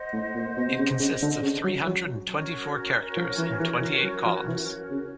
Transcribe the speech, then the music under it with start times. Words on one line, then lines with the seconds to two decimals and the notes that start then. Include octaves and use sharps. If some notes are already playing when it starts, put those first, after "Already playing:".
It consists of three-hundred and twenty-four characters in twenty-eight columns.
Already playing: C5 D#5 F#5
0.13 A2
0.35 A#2
0.57 B2
0.69 C3
0.79 C#3
0.99 C#3
1.22 D3
1.42 C#3
1.64 F#3
1.86 F#3
2.30 C#4 F#4 A#4 C#5
3.17 F3
3.38 E3
3.60 E3
3.82 E3
4.03 F#3
4.25 F3
4.47 E3
4.90 C#3